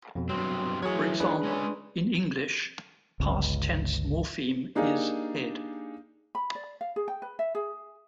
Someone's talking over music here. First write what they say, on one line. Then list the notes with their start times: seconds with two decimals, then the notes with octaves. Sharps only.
For example, in English, a past tense morpheme is "-ed".
0.15 F2 B2
0.29 G2 B2 F#3 C4
0.82 E3 F#3 G#4 C#5
1.20 D4 G#4 B4
1.43 G#3 C#4 C#5
3.20 G1 C#2
4.75 A#3 D4 D#4 G4 G#4 F5
6.35 B5
6.55 D5
6.81 F5
6.96 G#4
7.08 G5
7.22 B4
7.39 E5
7.55 G#4